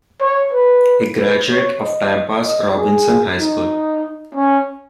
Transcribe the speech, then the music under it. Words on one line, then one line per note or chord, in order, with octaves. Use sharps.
A graduate of Tampa's Robinson High School.
C#5
B4
B4
C#5
D#5
D#5
G#4
D#4
C#4